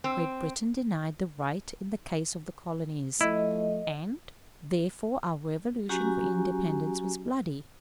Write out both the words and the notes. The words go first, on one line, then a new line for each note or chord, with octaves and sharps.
Great Britain denied the right in the case of the colonies, and therefore our revolution for independence was bloody.
C4
F3 A3 E4 D#5
F#3 C#4 F#4 G4 G#5 A#5